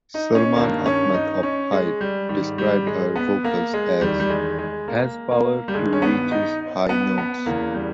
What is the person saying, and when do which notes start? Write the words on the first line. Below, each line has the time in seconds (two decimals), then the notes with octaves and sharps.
Salman Achmad of "Hai" described her vocals as "has power to reaches high notes".
0.14 D#4
0.35 C#4
0.56 G2 D#3 A#3
0.86 C#4
1.14 D#4
1.43 C#4
1.72 G#3
2.01 G3
2.29 G#2 D#3 G3
2.58 G3
2.87 G#3
3.16 B3
3.44 A#3
3.73 G#3
4.01 E2 D#3 G3
4.20 G3
4.30 G#3
4.58 G#3
4.88 A#3
5.31 A#3
5.68 G3
5.74 G2 D#3 G#3
5.93 C#4
6.02 B3
6.31 D#4
6.89 B3
7.18 B3
7.46 E2 C#3 E3 A#3
7.74 G3